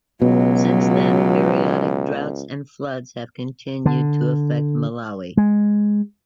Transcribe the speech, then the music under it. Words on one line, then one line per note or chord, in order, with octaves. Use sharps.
Since then, periodic droughts and floods have continued to affect Malawi.
C#2 B2 F#3
D3
G#3